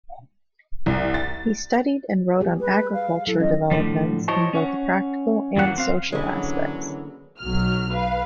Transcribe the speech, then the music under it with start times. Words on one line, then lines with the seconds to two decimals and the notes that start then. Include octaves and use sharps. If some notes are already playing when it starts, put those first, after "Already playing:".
He studied and wrote on agriculture developments in both the practical and social aspects.
0.86 C2
1.14 A6
2.41 G3 G4 G#4
2.60 B4
2.93 F5
3.27 F#3 E4 A4
3.40 C#4 D#5
3.71 A2 D3 F3
4.28 E4 F#4 C5 C#5 D#5 A5
4.53 C#4 C#5 F#5
5.56 F#2 E3 F#3 A#3 A4 F#5
5.78 C4 F5
6.12 D3 E3 F#3 G#3 A#3 C#4 G#5
7.39 B1 F#3 F6
7.91 B4 F5